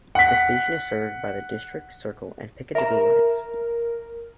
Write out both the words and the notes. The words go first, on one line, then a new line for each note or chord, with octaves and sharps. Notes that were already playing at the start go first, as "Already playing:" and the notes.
The station is served by the District, Circle and Piccadilly lines.
F#5 B6
A#4 E5 A#5